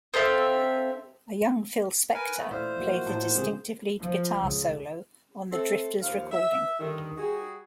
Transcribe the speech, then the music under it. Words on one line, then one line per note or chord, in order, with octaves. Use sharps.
A young Phil Spector played the distinctive lead guitar solo on The Drifters' recording.
C4 A4 E5 F5
A#4 B4 G#5
A3 B3
A#2 A3 E4 C5 D5 E5 F5
F3 A#3 F#4
A2 D#4 A5
C#3 G#3 C4 G4 G#4
F3
C#2
A3 C4 A4
D#2 F3 F5
E5
G2 D3 D#3
G3 F#4 G#4